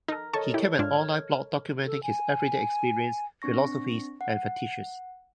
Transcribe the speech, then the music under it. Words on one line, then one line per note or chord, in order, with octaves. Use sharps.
He kept an online blog documenting his everyday experience, philosophies and fetishes.
D#4 A4 A#4
A4 C#5 D#5 A5 C#6
E4 G4
G#2 D4 F4 F6 G#6
A4
G#5
C4 D4 C#6 A#6
F#5